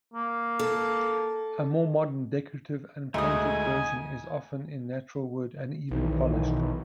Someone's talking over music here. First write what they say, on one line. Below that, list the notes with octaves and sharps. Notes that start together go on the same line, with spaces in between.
A more modern, decorative unpainted version is often in natural wood and even polished.
A#3
A4
D2 G#3 A3 D#4 G#5 D#6
B1 D#3 E3